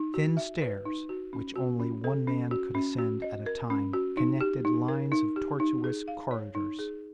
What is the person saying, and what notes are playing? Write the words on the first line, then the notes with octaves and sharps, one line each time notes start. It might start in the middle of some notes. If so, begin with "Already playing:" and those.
Thin stairs, which only one man could ascend at a time, connected lines of tortuous corridors.
Already playing: D#4
F#4
E5
B4
D#4
F#4
C#4
F#4
C#4
A4
C#4
F#4
C#4
F#4
D#5
A#4
C#4
F#4
D#4
G4
D#4
A#4
D#4
G4
D#4
G#4
F5
C#5
D#4
G#4